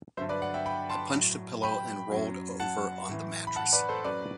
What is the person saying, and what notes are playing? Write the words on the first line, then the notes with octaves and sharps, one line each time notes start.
I punched a pillow and rolled over on the mattress.
G2 D3 F#3 C5 E5
B4 D5
D5 F#5
E5 G5
G5 B5
A5 C6
A2 F#3
G5 B5
F#2 F#3
F#5 A5
A2 E3
B5
F#5 A5
B4 D5
A4 C5
F#2 F#3 B4 D5